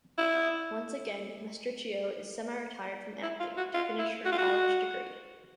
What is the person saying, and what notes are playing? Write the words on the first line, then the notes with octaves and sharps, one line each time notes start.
Once again, Mastricchio is semi-retired from acting, to finish her college degree.
E4
E4
F4
F#4
F4
E4
F#4
F4
F#4